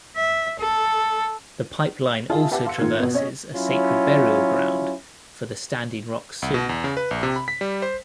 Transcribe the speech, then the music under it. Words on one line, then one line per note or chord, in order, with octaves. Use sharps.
The pipeline also traverses a sacred burial ground for the Standing Rock Sioux.
E5
A4
E4 F4 G#4 F5 A5
G4 B4 E5 F#5 A5 D6
F5 C6 E6 C#7
G#2 D#3 A#3 F4 G#6
B2 B3
C#4 C#5 D#5
F#3 C#4 E4 F4
C2
B2
E2
C#3
B4
A#1
C3
B5
B6
G3
C5